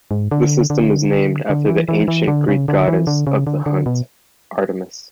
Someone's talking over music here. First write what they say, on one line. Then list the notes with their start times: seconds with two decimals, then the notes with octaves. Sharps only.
The system is named after the ancient Greek goddess of the hunt, Artemis.
0.11 G#2
0.31 D3
0.70 D3
1.50 D3
1.69 E3
1.89 E3
2.08 E3
2.28 D3
2.48 C#3
2.68 D3
2.88 E3
3.07 D3
3.27 C#3
3.47 D3
3.66 D3
3.86 B2